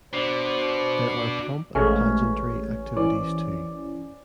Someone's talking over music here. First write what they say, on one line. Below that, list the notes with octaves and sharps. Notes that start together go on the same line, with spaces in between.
There are pomp and pageantry activities too.
B2 D4 C5
A1 G#3 A3 C#4
E3 C#4 D5